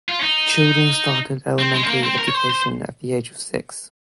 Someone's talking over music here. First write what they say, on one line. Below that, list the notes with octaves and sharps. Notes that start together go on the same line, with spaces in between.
Children started elementary education at the age of six.
F4
C#4
D#4
C4
G#3
C4
A#3
C4
A#4
C#5
C5
C5